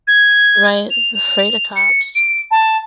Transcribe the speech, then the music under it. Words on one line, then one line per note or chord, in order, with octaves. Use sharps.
Right, afraid of cops.
G#6
F7
F7
C#7
D7
A5